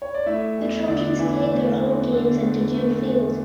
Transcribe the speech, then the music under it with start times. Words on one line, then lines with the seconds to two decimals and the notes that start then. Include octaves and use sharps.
The Trojans played their home games at Dedeaux Field.
0.02 C#5
0.15 D5
0.26 A3 E4 E5
0.57 E2
0.88 D3 D4 D5
1.19 E2 E3 E4
1.50 A3
1.82 E2
2.12 D3
2.43 E2
2.74 A3
3.06 E2